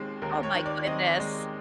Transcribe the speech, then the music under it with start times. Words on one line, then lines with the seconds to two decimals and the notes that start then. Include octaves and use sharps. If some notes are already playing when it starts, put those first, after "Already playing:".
Oh my goodness.
Already playing: D#2 D#3 G#3 C4
0.22 D#2 A#4
0.43 C#5
0.55 D#3
0.66 D5
0.87 C4 D#5
1.19 G#3